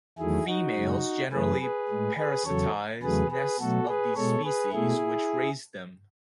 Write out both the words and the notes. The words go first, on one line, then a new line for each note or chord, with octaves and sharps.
Females generally parasitize nests of the species which raised them.
E2 D#3 F#3 A3 E4 G#4
D#4 F#4
F#2 C#3 G#3
F#2 E3 A3 G#4 B4
G#4 B4
A2 G#3
G#4 B4
E2 C#3 F#3 A4 C#5
E2 C#3 F#3 A3 G#4 B4
G#4 B4
B2 F#3 A3 F#4 A4
G#4 B4
B2 G#3 A4 C#5
G#4 B4
B2 A3 E4 G#4